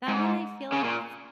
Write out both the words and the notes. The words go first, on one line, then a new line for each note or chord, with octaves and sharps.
that one I feel like,
G#2
C#3
A#2